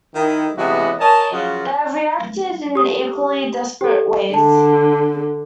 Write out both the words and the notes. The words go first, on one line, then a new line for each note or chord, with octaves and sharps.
They have reacted in equally desperate ways.
D#3 D#4 E4
C3 E3 G#3 B3 C#4 F#4
A#4 C#5 D#5 G#5 A5
C#3 F3 F#3 F4 F#4
G4 D#6
G4 A4
D3 A5